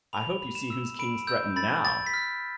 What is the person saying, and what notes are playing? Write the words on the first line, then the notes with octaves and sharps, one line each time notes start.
"I hope you see whose king's threatened, now."
B5 F7
B5
E7
E6
B5 D7
E6 G6
B5 A6
B5 A6
B6
F6